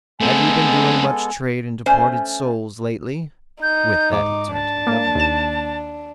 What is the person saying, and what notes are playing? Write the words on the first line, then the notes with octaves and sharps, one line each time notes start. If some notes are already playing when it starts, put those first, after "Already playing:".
"Have you been doing much trade in departed souls lately?" With that he turned to the Governor.
G#3 A3 B3 C4 A4 G#5
A3 C#4 C5 G#5
D#4 G6
G#2 D6
D4 A5
A#3
D#2 E7